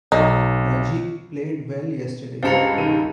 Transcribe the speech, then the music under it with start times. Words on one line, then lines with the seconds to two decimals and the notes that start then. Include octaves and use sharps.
Rajib played well yesterday.
0.12 B1 D#4
2.43 C#2 G2 C5 F5 A5 A#5 C#7
2.78 D#3 D#7